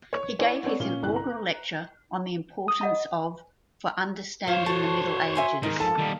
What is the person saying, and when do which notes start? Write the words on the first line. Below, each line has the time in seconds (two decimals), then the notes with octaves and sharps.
He gave his inaugural lecture on the importance of for understanding the Middle Ages.
0.13 C#5
0.39 E4 C#5 D5 G#5
0.63 B3 C4 A4 C#5 D5
0.80 A#2 C#4 G7
1.03 G1 C2 F#6
1.16 A#5
2.68 D#6
2.81 D#5 F#5 B5
4.48 F4 C5 C#5
4.66 F#4 A4 A5 C#6
5.35 E5 G#5 C6
5.63 G#2 D#3 D#4 A#4
5.80 F3 A4 A5
5.99 D#3 G3 A#3